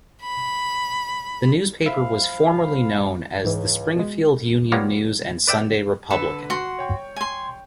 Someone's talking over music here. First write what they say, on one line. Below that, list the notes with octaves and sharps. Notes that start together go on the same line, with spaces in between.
The newspaper was formerly known as "The Springfield Union News and Sunday Republican".
B5
F3 E5 F5 B5
C#2 G#2 E3
B2 G#3
G3 A#3 B3 F4 C#5
B4 D5 E5 G5
D3 A4 B4 B5
F#4 C6
C#5 G5 C#6
G#5 C6